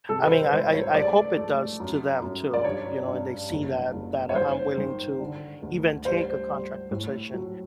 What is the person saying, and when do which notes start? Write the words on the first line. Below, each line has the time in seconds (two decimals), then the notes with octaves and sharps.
I mean, I I I hope it does to them too, you know, and they see that that I'm willing to even take a contract position,
0.09 C3 A4
0.25 B4
0.31 C5
0.52 C#2 C5
0.74 C#5
0.94 A3 D5
1.37 A3
1.80 F#2
2.22 F#2
2.54 D5
2.64 G2 C#5
3.07 G2
3.50 F#1
3.93 F#1
4.29 C#5
4.35 D#3 C5
4.78 D#3
5.20 D3
5.62 D2
6.05 G3 C5
6.47 G3
6.91 A2
7.33 F#3